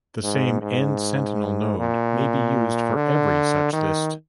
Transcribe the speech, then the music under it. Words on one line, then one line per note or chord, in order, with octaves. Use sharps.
The same end-sentinel node may be used for "every" such list.
G#2
G#2
A#2
D3
D#3